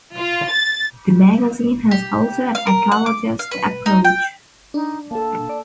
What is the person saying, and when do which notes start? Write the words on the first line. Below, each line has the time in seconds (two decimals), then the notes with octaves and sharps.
The magazine has also an ecologist approach.
0.18 F4
0.49 A6
1.91 G4
2.55 F5
2.67 A#4
2.92 F#5
3.06 D6
3.39 F5
3.51 B4
3.86 D#4
4.05 G5
4.74 D4 D#4
5.11 A#3 A4 A5
5.49 D5